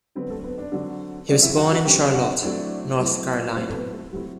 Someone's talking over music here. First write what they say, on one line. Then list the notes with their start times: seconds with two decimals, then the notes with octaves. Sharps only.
He was born in Charlotte, North Carolina.
0.15 D3 F#3 B3 C4 B4
0.30 A3 A4
0.44 B3 B4
0.58 D4 D5
0.72 D3 F#3 C4
1.29 D3 F#3 C4 D4 D5
1.43 E4 E5
1.57 F#4 F#5
1.72 F#4 F#5
1.85 D3 F#3 C4 G4 G5
2.14 F#4 F#5
2.42 F#3 A3 C4 D4 E4 D5
3.00 F#3 A3 C4 E4
3.56 F#3 A3 C4 E4 C5
3.70 A4
3.74 B3 B4
3.94 A3 A4
4.12 F#3 A3 C4 E4 G4